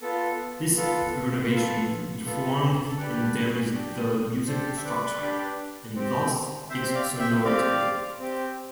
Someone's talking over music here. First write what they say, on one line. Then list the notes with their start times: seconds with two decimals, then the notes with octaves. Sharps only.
This renovation deformed and damaged the music structure and thus, its sonority.
0.02 B3 F4 A4
0.76 B3 F4 A4
1.50 B3 F4 A4
2.25 B3 F4 A4
2.88 A4
2.99 D4 G4 B4
3.73 D4 G4
4.47 D4 G4 A4 C5
4.76 E5
4.84 B4 D5
5.21 D4 G4
5.96 C4 G4
6.70 C4 C5 E5
6.74 G4
6.95 D5 F5
7.19 E5 G5
7.44 C4 G4 D5 F5
8.18 C4 G4